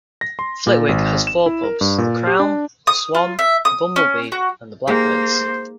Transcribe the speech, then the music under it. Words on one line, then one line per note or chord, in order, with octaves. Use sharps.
Flitwick has four pubs; the Crown, the Swan, the Bumble Bee and the Blackbirds.
A#6
C6
A#2
G#1
E7
E4
A#4
G2
A#2
G4
D4
D#6
F4
E5
D#6
C#4
F#4
G#3 A#3 D#4 G4 C5